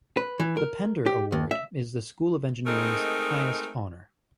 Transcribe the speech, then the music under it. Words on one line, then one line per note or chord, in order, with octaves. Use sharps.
The Pender Award is the School of Engineering's highest honor.
B4
E3
A#4
G4
D#2
E5
G#3 A3 C4 D#4 A#4